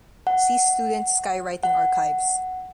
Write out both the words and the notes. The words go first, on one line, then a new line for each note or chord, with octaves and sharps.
See Student Skywriting Archives.
F#5
F#5